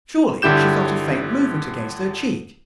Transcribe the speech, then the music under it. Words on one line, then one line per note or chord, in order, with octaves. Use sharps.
Surely she felt a faint movement against her cheek?
G1 D3 E4 G4 G6 E7